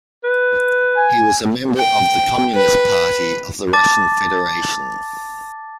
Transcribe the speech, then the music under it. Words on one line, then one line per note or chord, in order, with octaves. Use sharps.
He was a member of the Communist Party of the Russian Federation.
B4
G#5
G5
B4
A5 D6 A6